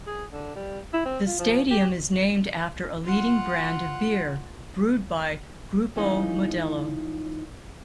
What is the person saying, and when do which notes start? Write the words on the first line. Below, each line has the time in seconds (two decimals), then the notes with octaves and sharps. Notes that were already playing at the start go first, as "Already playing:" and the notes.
The stadium is named after a leading brand of beer brewed by Grupo Modelo.
0.07 G#4
0.32 D3
0.56 G3
0.93 E4
1.06 C4
1.27 F4
1.39 F3
1.71 G4
3.04 F4 F#5
5.96 E3 F3 G#3 C#4 D#4 F4